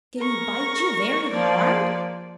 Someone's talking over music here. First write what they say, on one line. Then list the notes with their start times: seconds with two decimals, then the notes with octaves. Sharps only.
"Did he bite you very hard?"
0.18 A#4 C#6 A#6
1.28 F3 A#3 D5